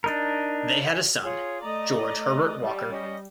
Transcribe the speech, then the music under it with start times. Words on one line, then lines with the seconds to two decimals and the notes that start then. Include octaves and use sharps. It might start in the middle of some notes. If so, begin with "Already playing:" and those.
They had a son, George Herbert Walker.
0.04 D4 D#4 A#4
1.24 F4 G#4 C#5
1.61 A3 D5 D#5 A#5
2.60 G3
2.91 C#4 D#5